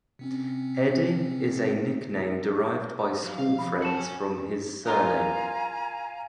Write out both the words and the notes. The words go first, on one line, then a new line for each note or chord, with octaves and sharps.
"Eddie" is a nickname derived by schoolfriends from his surname.
C3 C4 C#4
F#3 F5
G3 F5
C#3 F3 B5
F#4 G#4 F#5 A5 C#6 C#7 E7
C#5 G#5
F4 A#4 D#5 F5 G#5 A#5